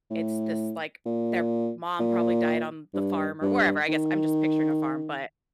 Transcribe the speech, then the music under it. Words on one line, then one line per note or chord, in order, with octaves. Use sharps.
it's just, like, their mom probably died on the farm or wherever, I guess I'm just picturing a farm, but
A2
A#2
A#2
G2
G2
D#3